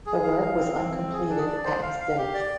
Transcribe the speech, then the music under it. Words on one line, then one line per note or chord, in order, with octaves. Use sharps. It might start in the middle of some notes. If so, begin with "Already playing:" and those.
The work was uncompleted at his death.
G#4
F5
F5
C4
C4
C4
G#4
D4
D5
C5
F5
F5
G4
D5